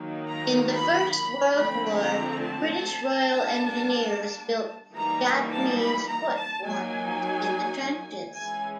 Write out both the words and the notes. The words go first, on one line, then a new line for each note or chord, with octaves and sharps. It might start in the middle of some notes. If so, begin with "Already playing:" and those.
In the First World War, British Royal Engineers built 'Japanese footwarmers' in the trenches.
Already playing: D#3 F#3 A#3 D#4
A#5
B5
B5
D3 F3 A3 C4 B5
A#5
A5
G3 A#3 D4
E3 G3 A#3 D#4 A#5
A5
B5
A#5
A5
F#3 A#3 D#4 G#5
E3 G#3 C#4 G#5